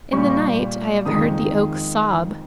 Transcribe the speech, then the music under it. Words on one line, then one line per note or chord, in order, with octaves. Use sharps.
In the night I have heard the oak sob.
A#2 G3 C#6
F2 D#3 G#3 D#6